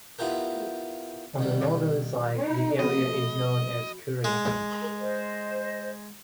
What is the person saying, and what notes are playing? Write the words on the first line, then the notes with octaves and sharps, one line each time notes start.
On the northern side, the area is known as Curry.
B3 E4 F4 G4 A#4
B2 D#3 G3
F3 F#4 D#5 B5
G#3
C5 D#5